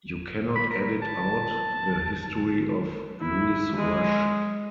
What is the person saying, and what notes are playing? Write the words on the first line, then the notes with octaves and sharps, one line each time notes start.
You cannot edit out the history of Louis Rush.
B5
A#4
A5
E4
G#3